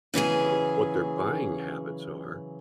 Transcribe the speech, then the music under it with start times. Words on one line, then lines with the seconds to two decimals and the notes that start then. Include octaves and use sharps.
um, what their buying habits are,
0.14 C#3 E3 F#3 G#4